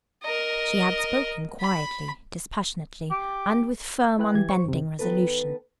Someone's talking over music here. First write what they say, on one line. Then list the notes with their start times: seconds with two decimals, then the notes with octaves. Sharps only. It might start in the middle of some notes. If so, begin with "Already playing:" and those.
She had spoken quietly, dispassionately, and with firm, unbending resolution.
0.23 A#4 D#5
1.60 B5
3.10 G4
4.19 E4 B4 G5 F#6
4.35 E3 G4 G#6
4.49 C5 C#6
4.65 F#2 C3
4.99 D#3 B3 A4 B4